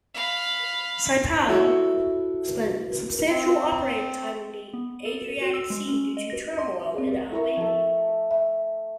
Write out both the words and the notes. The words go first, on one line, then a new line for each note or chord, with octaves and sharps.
"Saipan" spent substantial operating time in the Adriatic Sea due to turmoil in Albania.
F5 B5
E4 F#4 A4 C#5 E5
C4
B3
A4
E7
F#4
E6
G#3
C#4
D#5
A#6
C6
C4 G#4
E4 A#4 E5 A#5 C#6
F3 A3 A5
E5